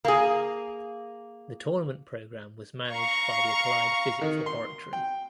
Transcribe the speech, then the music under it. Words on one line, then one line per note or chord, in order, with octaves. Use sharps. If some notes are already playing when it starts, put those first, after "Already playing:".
The tournament programme was managed by the Applied Physics Laboratory.
A#3 G#4
F5 A#5 C#6
D#3
C6
G5